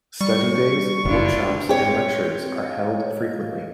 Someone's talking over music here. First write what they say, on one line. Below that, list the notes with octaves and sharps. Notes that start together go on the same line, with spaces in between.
Study days, workshops and lectures are held frequently.
G3 C#6
F#1 D4 E4 F4
C4 G4 C#5
D#5 F5